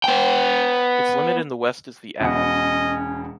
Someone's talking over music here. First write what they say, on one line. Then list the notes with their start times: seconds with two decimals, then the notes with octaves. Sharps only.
Its limit in the west is the Av.
0.04 B3 G5
2.20 E1 B2 C#4 D#5 F#5